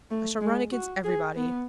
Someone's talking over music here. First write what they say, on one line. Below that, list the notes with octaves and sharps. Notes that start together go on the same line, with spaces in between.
I shall run against everybody.
A3
G#3
F#4
G#4
B3